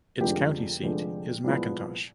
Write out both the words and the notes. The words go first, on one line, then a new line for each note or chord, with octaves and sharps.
Its county seat is McIntosh.
F1 F2 D3 F3 G#3 G4
F1 F2 D3 F3 G#3
C2 A#2 F3 G#3 B3